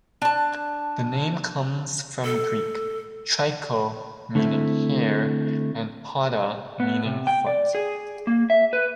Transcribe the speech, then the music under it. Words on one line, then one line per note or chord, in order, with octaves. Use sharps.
The name comes from Greek, "Tricho" meaning hair and "poda" meaning foot.
D4 A5
A4
D3 A3 C4 E4
B3
C3
G5
D5
G#4
A#3
E5
B4